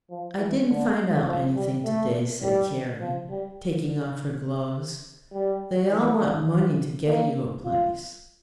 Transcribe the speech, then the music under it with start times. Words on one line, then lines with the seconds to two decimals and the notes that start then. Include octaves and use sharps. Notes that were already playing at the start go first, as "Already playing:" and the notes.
"I didn't find out anything to-day," said Carrie, taking off her gloves. "They all want money to get you a place."
0.10 F3
0.38 E3
0.68 D3
1.26 F3
1.55 G3
1.84 A3
2.42 G3
3.00 F3
3.29 G3
5.33 G3
5.90 E3
6.20 D3
6.49 E3
7.06 A#3
7.65 F4